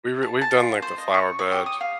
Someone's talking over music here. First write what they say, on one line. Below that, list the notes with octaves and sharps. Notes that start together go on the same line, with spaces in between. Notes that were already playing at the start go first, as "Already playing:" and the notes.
we were we've done, like, the flower bed
A5
A5
F4
C5
D#5
C#6
C#5
G4
D#6
F5